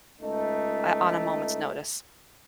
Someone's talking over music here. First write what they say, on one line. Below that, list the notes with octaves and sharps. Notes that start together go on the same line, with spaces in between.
uh, on a moment's notice.
C#2 A3 D#4